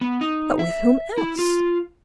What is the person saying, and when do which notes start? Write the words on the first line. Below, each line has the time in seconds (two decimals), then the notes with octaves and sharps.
"But with whom else?"
0.01 B3
0.21 D#4
0.59 E5
1.18 E4
1.39 F4